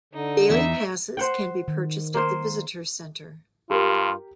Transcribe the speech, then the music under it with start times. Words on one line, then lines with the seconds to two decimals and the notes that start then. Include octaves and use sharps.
Daily passes can be purchased at the visitors center.
0.13 D3 D#4
0.50 E2 D#4 E5
1.17 C5 F#5 G5
1.68 D#3
2.14 A#3 C5
3.70 G2 F4 G4 A#4